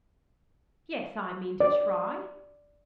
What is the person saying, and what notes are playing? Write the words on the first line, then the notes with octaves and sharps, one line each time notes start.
"Yes; I mean to try."
D5